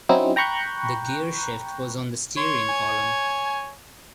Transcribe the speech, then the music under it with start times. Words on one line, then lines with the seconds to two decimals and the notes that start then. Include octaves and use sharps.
The gearshift was on the steering column.
0.09 F#3 C4 C#4 D#4 E4
0.36 G5 A#5 B5 C#6 F#6 G6
2.37 C#5 C6
2.69 G#5